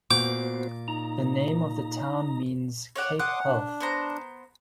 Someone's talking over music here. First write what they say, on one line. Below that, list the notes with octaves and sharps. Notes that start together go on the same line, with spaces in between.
The name of the town means "Cape Health".
A#2 B3 F#4 C5 D6
D#4 A#5
C#5 D5 F#5
F#5 C6 D6 D#6
D4
B3 C5 A#5